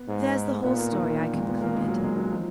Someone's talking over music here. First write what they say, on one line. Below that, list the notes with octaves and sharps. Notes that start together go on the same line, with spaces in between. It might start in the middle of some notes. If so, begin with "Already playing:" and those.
"There's the whole story," I concluded.
Already playing: B3
G#2
A#2 B3
A#3
D#3
D#3
D#3
G#3
B3
A#3
G#3
F#3
G#3
F#3
F3